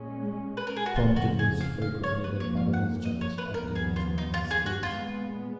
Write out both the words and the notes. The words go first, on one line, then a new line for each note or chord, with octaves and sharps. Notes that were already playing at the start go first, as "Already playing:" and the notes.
Crompton was frequently the butt of his jokes, acting as Manning's stooge.
Already playing: A#2 G#3 C#4
B4
A#4
G#4
F#4
F2 C#3 F3 F4
F#4
G#4
F5
F5
C#5
F2 F3 A#3 B4
C#5
F5
F#5
D#5
C#5
B4
D#2 C#3 F3 B3 A#4
G#4
F4
D#4
F4
G#4
F#4
A#2 G#3 B3 F4